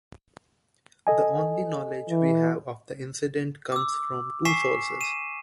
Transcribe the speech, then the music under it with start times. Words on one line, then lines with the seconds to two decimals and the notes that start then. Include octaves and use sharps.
The only knowledge we have of the incident comes from two sources.
1.07 A4 D#5 G#5
2.10 E3
3.72 D6 E6
4.45 G#5 C#6 B6 C7 E7
5.01 D#7 E7